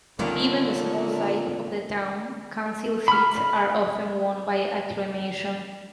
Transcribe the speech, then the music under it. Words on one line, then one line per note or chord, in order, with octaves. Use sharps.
Given the small size of the town, council seats are often won by acclamation.
A#2 D3 D#3 G3 A#3 B3 C#4 F5
B5 F6